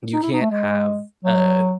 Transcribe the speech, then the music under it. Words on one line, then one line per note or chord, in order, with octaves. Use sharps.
You can't have a
D#4
E4
D#4
A3
G#3
F#3